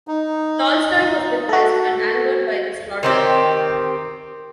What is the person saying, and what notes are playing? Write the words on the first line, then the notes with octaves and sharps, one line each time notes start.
Tolstoy was depressed and angered by the slaughter.
D#4
F#4 A4
D#3 C4 G4